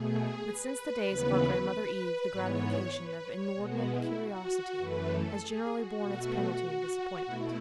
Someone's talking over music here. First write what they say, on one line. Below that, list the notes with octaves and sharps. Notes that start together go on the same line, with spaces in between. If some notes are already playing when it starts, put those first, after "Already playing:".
But, since the days of our grandmother Eve, the gratification of inordinate curiosity has generally borne its penalty in disappointment.
Already playing: B2 A3 G#4
B4
D#2 C#3 E3 B3
G#2 E3 B3 C#5
B4
C#5
B2 G#3 B3 F#4
E4
F#4
F#2 E3 A3 B4
A4
G#4
F#4
B2 A3
B2 A3 E4